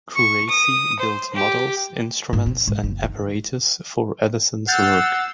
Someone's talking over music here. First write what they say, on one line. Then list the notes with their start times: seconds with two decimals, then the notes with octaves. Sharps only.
Kruesi built models, instruments, and apparatus for Edison's work.
0.16 C#6
0.49 D#6
1.00 C5
1.34 G4
2.33 G#2
2.46 C#4
2.67 G#2
2.83 F#1
3.03 D#3
4.68 F#5 E6 F6 G6 A6 C7